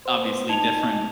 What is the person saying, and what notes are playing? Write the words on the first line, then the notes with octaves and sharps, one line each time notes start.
obviously different
C5
B3 C5
D#4 G#5 A5 F7